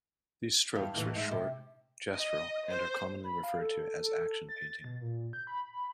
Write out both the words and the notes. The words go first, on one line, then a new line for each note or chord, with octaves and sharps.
These strokes were short, gestural and are commonly referred to as action painting.
E2 G2 F5
D#2 A2 E3
G#2 G#3 E5
C3
D#5
C5
B5
F5
A4
A4
A6
B2
A#2
G6
B5